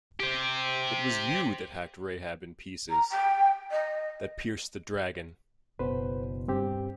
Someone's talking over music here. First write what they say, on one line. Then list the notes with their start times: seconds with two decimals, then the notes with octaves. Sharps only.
It was you that hacked Rahab in pieces, that pierced the Dragon!
0.20 G4 C5
2.90 A#5
3.10 G5
3.71 D#5
5.79 F#1 B2 B4 C5
6.48 G2 C4 G4